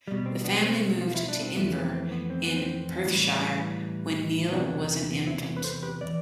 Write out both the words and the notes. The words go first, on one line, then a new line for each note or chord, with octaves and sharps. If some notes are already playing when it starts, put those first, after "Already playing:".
The family moved to Inver in Perthshire when Niel was an infant.
B2 G3
C4
B3 D4
C4
F4
E4
D4
C4
F2 E3 A3 B3
B3
C4
B3
C4
B3
C4
A2 E3 G3
E2 C3 E3 B3 D4
C4 E4
B4
A4 C5
G4 B4
E3 D5